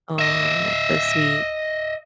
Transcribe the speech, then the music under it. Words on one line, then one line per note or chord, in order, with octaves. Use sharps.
Oh, that's so sweet.
D#5 E5